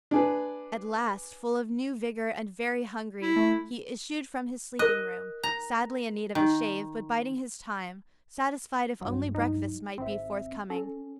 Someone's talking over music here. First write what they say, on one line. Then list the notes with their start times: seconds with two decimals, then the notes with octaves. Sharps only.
At last, full of new vigor and very hungry, he issued from his sleeping-room, sadly in need of a shave, but biding his time, satisfied if only breakfast might be forthcoming.
0.11 D4 G#4 B4
3.22 E4
3.36 A3
4.79 A#4 D#5 F#6
5.43 A#5
6.35 D#3
9.01 C2 G2 F#3
9.35 G#3 D#4
9.98 G#1 C4 E5
10.70 C#4 A4